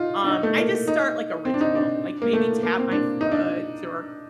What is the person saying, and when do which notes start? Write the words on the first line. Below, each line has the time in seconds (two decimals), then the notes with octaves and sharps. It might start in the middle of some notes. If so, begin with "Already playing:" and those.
um, I just start like a ritual, like maybe tap my foot or
Already playing: D#4 F4
0.24 D4
0.28 D#4
0.43 A3
0.58 A#3
0.88 D#4
1.45 C4
1.54 D4
1.61 D#4
1.75 D4
2.22 A#3
2.33 A3
2.63 A#3
2.78 C4
2.91 D4
3.21 D#4
3.32 D4